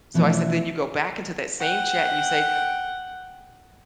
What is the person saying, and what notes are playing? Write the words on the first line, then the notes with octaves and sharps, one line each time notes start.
So I said, "Then you go back into that same chat and you say,
B2 E3 F3 A3 C#4 D4
F#5 G5